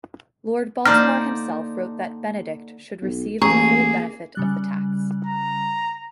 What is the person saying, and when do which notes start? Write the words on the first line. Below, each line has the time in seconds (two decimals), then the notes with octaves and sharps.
Lord Baltimore himself wrote that Benedict should receive the full benefit of the tax.
0.86 D3 A#3 D#4 C5 D5 F6
3.02 B1
3.42 A1 A#3 G#4 A#5 C#6
4.35 C#3 G3 F#6
5.27 A#5